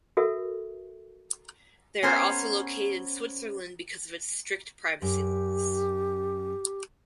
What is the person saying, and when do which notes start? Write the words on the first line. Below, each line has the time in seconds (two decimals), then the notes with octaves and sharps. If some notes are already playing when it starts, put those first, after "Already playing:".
They are also located in Switzerland because of its strict privacy laws.
0.17 F#4 A4 A#4 E5
2.03 B3 C#4 G#4 A#4 C5
5.02 F#2 G4